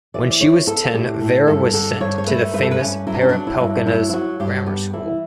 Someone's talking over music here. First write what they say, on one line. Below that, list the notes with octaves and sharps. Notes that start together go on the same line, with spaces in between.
When she was ten Vera was sent to the famous Perepelkina's grammar school.
E3 D5
D5
B3 C#5
B3 A4
A2 G4
A2
G2 A4
D3 A4
G2 C#5
C#5
A3 B4
G2 B4
A4
B4
G2 C#4
F#3 E4
D4
C#4
F#3 D4
E4
G2
F#3 E4
E4
F#3 F#4
G2 G4
B3 G4
E3 E4